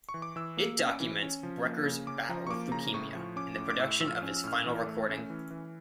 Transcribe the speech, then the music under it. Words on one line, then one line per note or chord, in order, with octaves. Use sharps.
It documents Brecker's battle with leukemia, and the production of his final recording.
C#6
E3
D6
E3 E6
A#3
C#4
E3
C#4
F3
A#3
C#3
C#4 D6
F3 A#5
C#6
A#3 D6
C#3 A#5
A2 C#6
F3
C#4 D6
A2
D6
A2 E6
F3 E6
F6
C#4
E6
A2 F6
E6
E3
A3
C#4
E3
E3